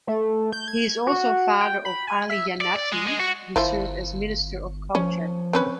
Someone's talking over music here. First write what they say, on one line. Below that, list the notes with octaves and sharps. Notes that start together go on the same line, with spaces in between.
He is also father of Ali Jannati, who served as Minister of Culture.
A3
G6
G#6
F#4
G5
B5
G#5
E5
D5
D5
G#3
G#3
F#4
G1 F3 E4 C5
F3 C#4
C4 C#4 B4